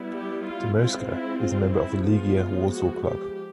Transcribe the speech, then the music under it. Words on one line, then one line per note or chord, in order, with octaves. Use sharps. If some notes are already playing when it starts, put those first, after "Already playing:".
Dmowska is a member of the Legia Warsaw Club.
Already playing: G3 B3 E4
G4
F4
G#3 C4 E4 F4
E4
F4
E4
F3 G#3 B3 F4
F#4
G4